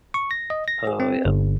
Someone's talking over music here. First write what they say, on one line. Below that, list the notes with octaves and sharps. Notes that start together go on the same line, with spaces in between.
Oh, yeah.
C#6
A#6
D#5
A#6
G#4
C4
G1